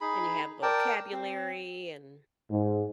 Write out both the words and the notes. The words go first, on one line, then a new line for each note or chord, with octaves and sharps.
And you have vocabulary and
D#4 G#4 B5
A#4 D5 G5 A5
C4
G#2